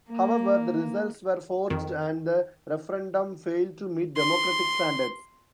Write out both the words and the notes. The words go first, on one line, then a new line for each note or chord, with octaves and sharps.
However, the results were forged and the referendum failed to meet democratic standards.
A#3
F2 D#3
C6